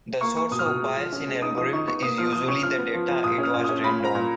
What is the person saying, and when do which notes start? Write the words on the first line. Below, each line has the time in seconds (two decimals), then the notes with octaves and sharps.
The source of bias in algorithms is usually the data it was trained on.
0.21 A#3 C#6
0.36 A#3 C#6
0.51 B2 D#6
0.59 F6
0.66 B2 D#6
0.82 G#3
0.96 F3
1.13 C#4
1.28 G#3
1.42 D#4 D#6
1.57 F3 D#6
1.73 D#4 C#6
1.88 B3 C#6
2.03 A#3 D#6
2.18 F3 F6
2.33 F3 D#6
2.48 C#4 C#6
2.63 F3 F6
2.78 B3
2.94 F3
3.08 F3
3.24 A#2 D#6
3.38 C#4
3.43 F6
3.54 A#2
3.64 C#4 D#6
3.84 A#2 B5
3.99 A#2
4.05 A#5
4.15 A#2